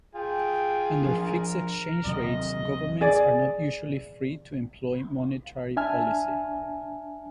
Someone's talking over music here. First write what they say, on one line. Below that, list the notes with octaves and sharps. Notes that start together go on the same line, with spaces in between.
Under fixed exchange rates, governments are not usually free to employ monetary policy.
F4 G#4 G5
F3 D4 A#4
D#2 C3 F#3 D#5
G#4 D5
D4 E5 G#5 A5 F6